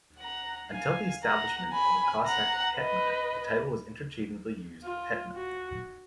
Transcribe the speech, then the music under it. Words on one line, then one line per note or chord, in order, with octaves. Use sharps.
Until the establishment of the Cossack Hetmanate the title was interchangeably used with Hetman.
F#5 A#5
F5 G#5
F#5 A#5
G#5 B5
F#5 A#5
B4 D#5
F4
F#4